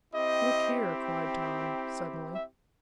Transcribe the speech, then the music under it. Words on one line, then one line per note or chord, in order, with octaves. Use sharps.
"Look here!" cried Tom, suddenly.
C4 E4 G4 D#5
E5